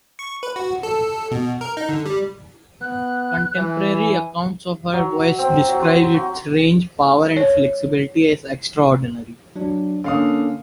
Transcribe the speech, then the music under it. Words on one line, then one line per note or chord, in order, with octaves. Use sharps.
Contemporary accounts of her voice describe its range, power and flexibility as extraordinary.
C#6
B4
F#4
A4
B2
A#4
D#4
D3
G3
B3 F#6
E3
G#5
F#3
C4
F#3
C6
C5
F#4
C#5
F#3 D4
D3 A#3 C#4 F5 D#6